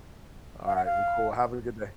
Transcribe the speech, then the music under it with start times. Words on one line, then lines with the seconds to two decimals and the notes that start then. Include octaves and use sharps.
All right, well, cool. Have a good day.
0.66 F5
0.76 F#5
0.85 F5